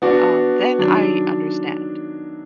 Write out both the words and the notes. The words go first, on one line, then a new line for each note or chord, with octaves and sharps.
um, then I understand.
B3 D4 F#4 D5
D#3 F#3 D4